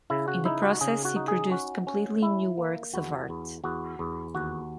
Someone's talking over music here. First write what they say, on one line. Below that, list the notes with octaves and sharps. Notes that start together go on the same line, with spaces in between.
In the process he produced completely new works of art.
C#3 E4
F#4
D#4 E4
F#4
C#3 G#4
F#4
D#4
G#4
C#4 F#4
C#4
E4
A#3
E2 F#4
E2
E2 F#4
E2
D#2 F#4